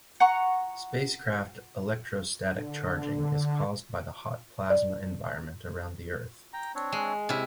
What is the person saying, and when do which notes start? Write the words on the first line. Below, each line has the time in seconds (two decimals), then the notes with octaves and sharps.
Spacecraft electrostatic charging is caused by the hot plasma environment around the Earth.
0.20 F#5 A#5 C#6
2.57 D3
4.70 D5
6.53 G5 A#5
6.75 C4 D4 C#5
6.92 G#3
7.29 C3 C#4 E4